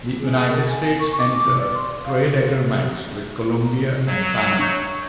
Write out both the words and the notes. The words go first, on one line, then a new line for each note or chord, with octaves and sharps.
The United States entered trade agreements with Colombia and Panama.
G#4
A#4
G#5
C#6
D6
D5
C6
F5
F#3
D4 C#6 G6